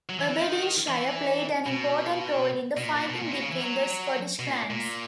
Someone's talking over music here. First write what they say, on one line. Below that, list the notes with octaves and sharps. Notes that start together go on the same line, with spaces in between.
Aberdeenshire played an important role in the fighting between the Scottish clans.
F#3
E3
E3
D#3
E3
B2
B2
A#2
A#2
B2
A#2
B2
C#3
E3
F#3
B2
A#2
A#2